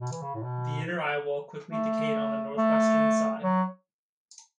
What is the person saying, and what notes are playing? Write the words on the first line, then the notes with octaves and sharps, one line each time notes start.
The inner eyewall quickly decayed on the northwestern side.
B2
E3
C#3
A2
B2
A3
A3
F#3